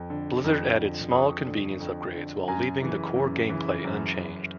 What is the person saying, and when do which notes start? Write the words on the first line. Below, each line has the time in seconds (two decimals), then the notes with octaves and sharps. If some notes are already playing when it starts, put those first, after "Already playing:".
Blizzard added small convenience upgrades while leaving the core gameplay unchanged.
Already playing: F2
0.10 D3
0.44 F2
0.78 D3
1.11 F2 C#6 D#6
1.45 D3
1.80 F2
2.14 D3
2.48 F#2 G#5 A#5
2.81 C#3 E3
3.16 F#2
3.49 C#3 E3
3.84 F#2